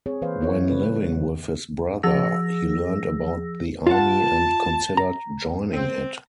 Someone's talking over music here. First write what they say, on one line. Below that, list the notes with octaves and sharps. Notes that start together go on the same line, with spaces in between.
When living with his brother, he learned about the Army and considered joining it.
C4 G#4 C#5
E3 A#3 B4 C5 F5
B3 E4 C#5
C#3 F#3 G3 A3 F4 B4
F3 G#4 E6 A#6
F4 F#5 A5
A#5
C4